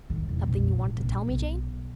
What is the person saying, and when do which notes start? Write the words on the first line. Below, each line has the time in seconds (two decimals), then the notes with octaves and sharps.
Something you wanted to tell me, Jane?'
0.10 A2 D#3
0.29 E2 A#2
0.43 A#1 F2
0.79 A1
0.97 A#1
1.28 B1